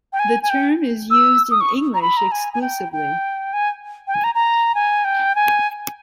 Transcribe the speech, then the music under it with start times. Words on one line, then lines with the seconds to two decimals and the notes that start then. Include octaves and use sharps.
The term is used in English exclusively.
0.13 G5
0.19 G#5
0.43 G#5
0.50 G5
1.11 E6
1.51 D#6
1.61 C#6
1.94 A#5
2.02 B5
2.17 A#5
2.32 G#5
2.53 G#5
2.62 G5
2.92 G5
3.53 G#5
4.07 G5
4.14 G#5
4.24 A#5
4.35 A#5
4.75 G#5
5.05 G5
5.35 G#5